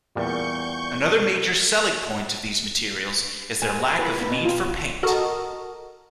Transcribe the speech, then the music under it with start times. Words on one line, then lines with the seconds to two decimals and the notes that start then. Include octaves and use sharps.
Another major selling point of these materials is their lack of need for paint.
0.15 E2 A#2 G3 C#6 G6
3.62 G#3 G#5
3.79 B3 F#4
3.99 E4 F4 A#4 B4 B5
4.17 A#3 B3 D#4
4.30 B2 D#5
4.45 A#3 F4 G5
5.03 F#4 A4 A#4 D#5